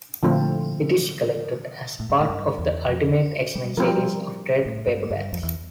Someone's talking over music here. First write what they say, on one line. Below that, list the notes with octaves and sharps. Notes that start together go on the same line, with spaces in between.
It is collected as part of the "Ultimate X-Men" series of trade paperbacks.
A#2 D3 F3 A3 C4 F4
A2
G2
A2
G2
E2
F2
D3
G3
F3 G3 C4 F4 A#4
A2
G2
G2
F2
E2